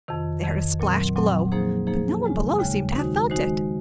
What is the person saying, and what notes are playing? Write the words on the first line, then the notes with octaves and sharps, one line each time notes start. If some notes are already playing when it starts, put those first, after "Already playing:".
They heard a splash below, but no one below seemed to have felt it.
F2 C3 D#3
F2 C3 D#3
A#2 F#3 C4
A#2 F#3 C4
F3 A#3 D#4 G#4 C5
F3 A#3 D#4 G#4 C5
D#2 C#3 G#3
D#2 C#3 G#3
D#3 G#3 D#4 F#4 C5
D#3 G#3 D#4 F#4 C5